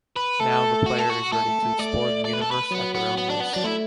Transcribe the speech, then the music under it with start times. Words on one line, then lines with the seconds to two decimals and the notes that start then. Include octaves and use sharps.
Now the player is ready to explore the universe at their own risk.
0.16 B4
0.40 A3 A4
0.86 F#4
0.99 A4
1.10 F#4
1.32 A3 A4
1.48 A3
1.63 A3
1.79 A3 D5
2.25 D5
2.33 B4
2.42 A4
2.51 B4
2.71 F#3 B3
2.95 B3
3.17 B3
3.30 D4
3.40 B3
3.53 F#3 D4
3.64 A3 E4